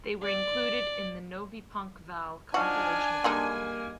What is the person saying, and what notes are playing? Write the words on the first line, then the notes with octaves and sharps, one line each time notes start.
They were included in the "Novi Punk Val" compilation album.
D5
F3 D4 D#4 F#4 F5 G#5
D3 G3 G#3 A#3 D#4